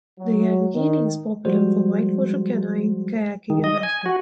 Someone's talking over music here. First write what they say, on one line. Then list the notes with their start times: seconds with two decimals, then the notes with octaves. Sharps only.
The Youghiogheny is popular for whitewater canoeing, kayaking and rafting.
0.19 F#3
0.74 D#3
1.45 F3 G3 G#3 F#4 G#4 C5
3.50 D#3
3.64 D#5
3.83 G#5
4.06 F#4